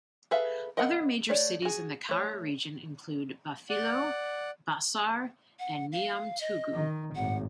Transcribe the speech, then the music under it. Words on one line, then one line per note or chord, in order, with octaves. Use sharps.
Other major cities in the Kara region include Bafilo, Bassar, and Niamtougou.
G#4 A4 B4 E5 F5
A#4 D#5 F5 F#5 B5
A3 C#5 D5
F#4 G#4
A3 C#5
D5 F#5
F#5
F5
D#5
D#3
G#1 A2 F#5